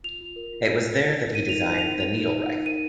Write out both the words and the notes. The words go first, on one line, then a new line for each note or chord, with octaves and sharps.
It was there that he designed the needle rifle.
F4 F7
F4
A#4
F4
A#4
A#4
A#4
A#4
D#4 D#7
D#4 F7
D#7
C5
F7
C5
C5 F7
D#4
D#4
D#4
A#4 D#7